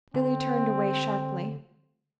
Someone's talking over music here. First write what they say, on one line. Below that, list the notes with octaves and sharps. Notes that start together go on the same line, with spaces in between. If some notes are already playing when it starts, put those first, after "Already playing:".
Billy turned away sharply.
D3 C4